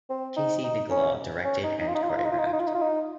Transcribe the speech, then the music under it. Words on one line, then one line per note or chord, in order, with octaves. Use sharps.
Casey Nicholaw directed and choreographed.
C4
D#4
D#4
C#4
C#4
D#4
D#4
F4
D#4
F4
D#4
F4
D#4
F4
D#4
F4
D#4
F4
D#4
F4
D#4